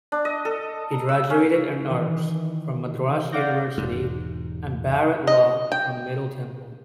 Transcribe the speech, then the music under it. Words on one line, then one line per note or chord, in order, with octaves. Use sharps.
He graduated in Arts from Madras University and Bar-at-law from Middle Temple.
D4
D#5
A4
A#5
E6
C#4
D#3 E3
D5 F5 F#5 D6 G6 A#6
E1 G#2
D#5
G5